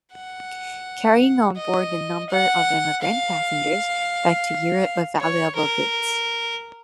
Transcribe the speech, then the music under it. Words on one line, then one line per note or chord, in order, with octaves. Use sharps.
Carrying on board a number of emigrant passengers back to Europe with valuable goods.
F#5
D#5
F#5
F5
C#5
A#4